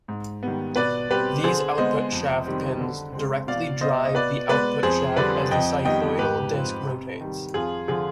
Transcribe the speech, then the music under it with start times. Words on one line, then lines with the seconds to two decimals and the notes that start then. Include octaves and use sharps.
These output shaft pins directly drive the output shaft as the cycloidal disc rotates.
0.08 G#2
0.43 D#3 G3 B3
0.76 B2 B4 D5
1.10 G3 C4 G4 B4
1.44 D3 G#4 C5
1.78 G#3 B3 C5 D#5
2.12 F2
2.46 C3 D#3 G3 C4
2.80 D3
3.13 G#3 C4
3.47 B2 D5 F5
3.81 B3 C5 D#5
4.05 D#5
4.15 B2 B4 D5
4.49 G#3 B3 B4 D5
4.83 F2 G#4 C5
5.16 D3 G3 C4 B4 D5
5.51 F2 D#5 G5
5.85 D#3 G3 B3 D#5 G5
6.19 G#2 G4 B4
6.52 F3 C4
6.87 C3
7.21 D#3 G3
7.54 F2 F4 G#4
7.88 D3 F3 F4 G#4